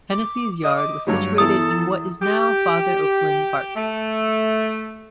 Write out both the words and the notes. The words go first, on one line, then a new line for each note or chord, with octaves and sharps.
Hennessy's yard was situated in what is now Father O'Flynn Park.
D6
D#5 D#6
D6
G2 F#3 G3 C#5
E2 E3 A4 D#6
G4
A3